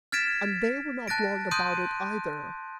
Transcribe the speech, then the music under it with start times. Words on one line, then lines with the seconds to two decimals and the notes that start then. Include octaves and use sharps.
And they were not long about it either.
0.12 F6 G#6 A6 B6 D7 E7
1.08 A5 F#6 A6 A#6 D7
1.51 C6 D#6 F#6 G6 D7 D#7